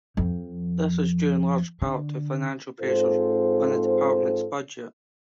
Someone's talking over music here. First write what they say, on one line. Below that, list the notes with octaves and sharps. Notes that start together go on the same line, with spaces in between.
This was due in large part to financial pressures on that department's budget.
F2 F3
D3
G#2 C4 F4 A4 C5